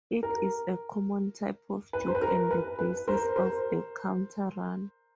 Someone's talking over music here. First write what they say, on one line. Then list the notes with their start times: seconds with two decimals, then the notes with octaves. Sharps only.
It is a common type of juke and the basis of the counter run.
0.23 A#4
1.93 B4
2.08 C5
2.15 B4
2.22 A#4
2.51 B4
2.79 B4
3.08 A#4 C5
3.36 A#4 C5